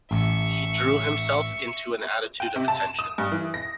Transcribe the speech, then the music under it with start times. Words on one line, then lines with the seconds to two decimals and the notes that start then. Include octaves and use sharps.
He drew himself into an attitude of attention.
0.11 A1 E5 C#6
2.40 G5
2.56 C3
2.68 A5
2.83 E7
2.99 D#6
3.18 G2
3.32 E3
3.54 A#6